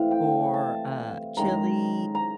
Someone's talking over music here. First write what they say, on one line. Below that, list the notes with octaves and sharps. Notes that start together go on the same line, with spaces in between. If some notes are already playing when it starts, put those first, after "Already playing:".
or, uh, chili
Already playing: C3 E3 A3 C4 F5
G5
A5
F#2 D#3 G#3 A#5
A#5